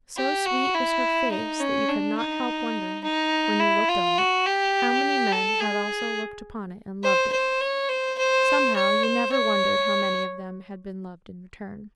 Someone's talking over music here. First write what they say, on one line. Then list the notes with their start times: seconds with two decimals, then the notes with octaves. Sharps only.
So sweet was her face that you could not help wondering, when you looked on it, how many men had also looked upon it and loved it. Somehow, you never wondered how many of them had been loved in return.
0.17 G4
0.46 F#4
0.75 E4
1.31 D#4
1.60 C#4
1.89 D4
2.17 D#4
3.04 D#4
3.60 E4
3.89 F4
4.18 F#4
4.46 G4
5.32 A4
5.61 G#4
7.03 C5
7.32 C5
7.61 C#5
7.89 C5
8.18 C5
8.76 C#5
9.04 C5
9.32 C#5